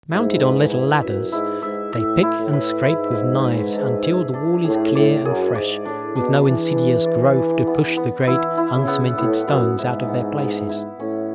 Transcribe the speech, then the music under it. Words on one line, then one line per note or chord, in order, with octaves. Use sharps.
Mounted on little ladders, they pick and scrape with knives until the wall is clear and fresh, with no insidious growth to push the great uncemented stones out of their places.
G#2 E4
B4
E4
F#2 E5
G#2 E4
G#2 E5
A2 E5
E4
A2
B4
G#2 E4
E4
B4
D4
G#4
D4
A2 G#4
A2 D5
F#2 G#4
G#2 D5
A2 D4
B2 D4
E3 D4
D4
D5
B4
B3
B3
E3 E4
E4
C#3
B3
A2 B3
F#2 B3
G#2 E4
B3
B3
E4
A2 C#4